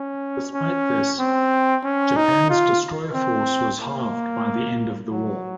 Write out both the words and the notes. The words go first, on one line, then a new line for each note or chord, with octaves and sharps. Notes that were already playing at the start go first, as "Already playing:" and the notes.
Despite this, Japan's destroyer force was halved by the end of the war.
Already playing: C#4
C#4
C4
C#4
D#4
F4
C4
A#3
F#3